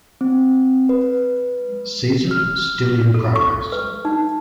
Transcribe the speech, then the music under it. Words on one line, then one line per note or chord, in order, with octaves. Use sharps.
Season still in progress.
C4
B4
F6
A4
C#6
B4
D#4